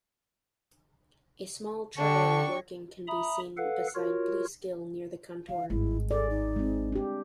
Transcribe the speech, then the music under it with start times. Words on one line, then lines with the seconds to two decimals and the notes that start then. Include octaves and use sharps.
A small trial working can be seen beside Blease Gill near the contour.
1.98 D3 D4 G4 A5 C#6
3.08 E5 A#5 B5 D#6
3.57 A4 B4 F5 F#5
3.95 F4 F#4 A#4 C#5
5.49 D#3 F5
5.70 G#1 G2 G#3 E4
6.11 G#4 A4 D5
6.30 D#4
6.56 G#3 C4
6.92 D4 G4